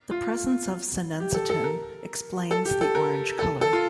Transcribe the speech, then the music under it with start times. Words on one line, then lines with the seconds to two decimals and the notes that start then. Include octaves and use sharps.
The presence of sinensetin explains the orange color.
0.11 F4
1.20 G4
1.34 A4
1.50 A4
1.64 A#4
2.51 A4
2.65 G4
2.81 A4
2.95 A#4
3.39 A4
3.61 A4
3.73 F4